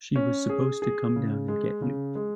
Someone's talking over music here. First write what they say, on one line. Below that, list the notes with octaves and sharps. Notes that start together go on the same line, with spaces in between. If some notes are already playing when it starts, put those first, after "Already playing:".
She was supposed to come down and get you.
C#4
G#4
G#4
C#3
G#3
C#3
G#3